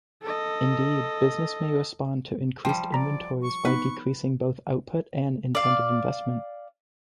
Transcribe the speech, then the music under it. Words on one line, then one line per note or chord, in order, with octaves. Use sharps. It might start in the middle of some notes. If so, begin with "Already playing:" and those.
Indeed, business may respond to increased inventories by decreasing both output and intended investment.
A4 D#5
F3 G3 G5
D5 A#5 B6
C#6
B3 D#4 B4
D5 F5